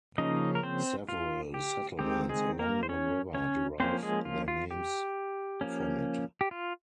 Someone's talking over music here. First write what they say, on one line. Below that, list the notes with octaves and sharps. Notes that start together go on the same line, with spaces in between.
Several settlements along the river derive their names from it.
C#3 F3 A#3 C#4 D#4 D#5
A#4
C4 C5
F4
G4
D#3 G#3 C4 G4
G#3 G#4
A#3 A#4
C5
C#4 C#5
C#4 C#5
F3 A#3 C4 C#4 C5
G#3 G#4
F4
F4
G4
F3 A#3 C#4
G4
F4